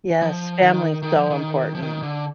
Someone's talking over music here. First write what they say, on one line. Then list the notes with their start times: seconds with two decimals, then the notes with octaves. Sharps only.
Yes, family is so important.
0.22 F3
0.62 D#3
1.03 D#3
1.16 F3
1.30 D#3
1.75 F3
1.82 D#3
2.03 D3